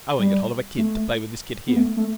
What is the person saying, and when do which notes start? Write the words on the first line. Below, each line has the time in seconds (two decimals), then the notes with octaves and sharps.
I want to get hold of a kid to play with this kid here.
0.19 G3
0.78 A3
1.68 B3
1.76 A3
1.97 A3